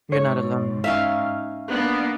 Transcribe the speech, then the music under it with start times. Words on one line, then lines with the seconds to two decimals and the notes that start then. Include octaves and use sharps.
You're not alone.
0.12 G#2 C#5
0.84 C#4 D#4 E5 F5
1.70 A#3 B3 D4